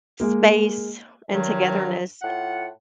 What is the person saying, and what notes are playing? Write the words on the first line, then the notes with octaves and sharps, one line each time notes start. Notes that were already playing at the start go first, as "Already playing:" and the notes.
space and togetherness,
G#3 A#3
G2 D#3 F#3
A2 F4 F#5